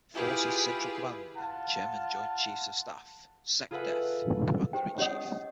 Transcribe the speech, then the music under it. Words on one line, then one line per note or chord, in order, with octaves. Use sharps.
Forces Central Command, Chairman Joint Chiefs of Staff, SecDef, Commander in Chief.
E4 F4 G4 G#4 B4
F4 F#5 A5
F4 G#4 A4 B4 E5 F#5
G4 C5 G5
C#4 G4 C#5 D#5 F#5 D#6